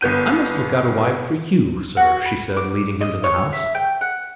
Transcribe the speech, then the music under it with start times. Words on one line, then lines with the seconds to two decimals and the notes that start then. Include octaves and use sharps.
"I must look out a wife for you, sir," she said, leading him to the house.
0.01 G1 B3 G6 D#7
1.97 F#4
2.26 B5
2.57 D6
3.01 D#5
3.24 C#5
3.53 E5
3.75 G5
4.01 F#5